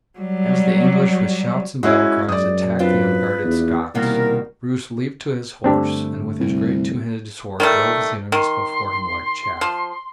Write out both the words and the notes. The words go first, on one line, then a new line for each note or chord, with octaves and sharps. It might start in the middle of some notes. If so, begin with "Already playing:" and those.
As the English with shouts and battle cries attacked the unguarded Scots, Bruce leaped to his horse and with his great two-handed sword drove his enemies before him like chaff.
F#3 G3
G#3 C#4 E4 F#4
F#2 D5 D#6
C4 D4 F4 B4
E2
C2 B2 D#3 A#3 A#4
G2 D3 A3 C4 D4 G4
C2
D#3 G3 A3
D#3 C6
F3